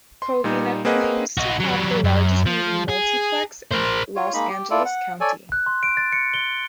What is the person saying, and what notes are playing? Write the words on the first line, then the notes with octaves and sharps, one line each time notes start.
Covina claims to have the largest movie multiplex in Los Angeles County.
C6
A#2 G3 D#4
A#3 C4 G#4 B4 D#5 F#5
D#4 F#4
F#3 G3
F#2
F3
G#4
A#4 C5
F4 C#5
G#3 A#3 D#4 B5
G4
E4 F4 A4 D5
F#5
A4 C#5 D5 G#5
F#6
C6
D7
A6
C#7
G7